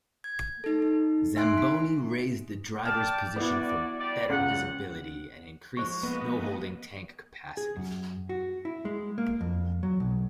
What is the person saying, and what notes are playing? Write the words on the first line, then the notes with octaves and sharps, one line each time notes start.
Zamboni raised the driver's position for better visibility, and increased snow-holding tank capacity.
G#6
D#4 A4
D#4
D#4 E5 G#5 C6 F#6 D7
B6
D5 G5 A5 F6
B3 E4 F#4 D5
G3 D5
C#2 F#5
F3 G#3 C5 C#6
A#3 B3 B4 D#5
G#4
F#2
F#4
E4
G#3
A#3
F2
F#3
B1